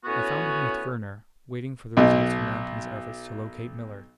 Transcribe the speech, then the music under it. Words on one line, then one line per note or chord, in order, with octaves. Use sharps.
I found him with Werner, waiting for the results of Manton's efforts to locate Millard.
A2 B3 C#4 F#4
B1 B2